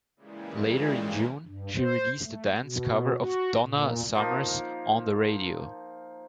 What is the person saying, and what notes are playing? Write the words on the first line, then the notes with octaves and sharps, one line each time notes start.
Later in June, she released a dance cover of Donna Summer's "On the Radio".
A#2 C#3 E3 G3 G#3
G2
C5
A3
B2
F#4
A#2
F3 A#3 D#4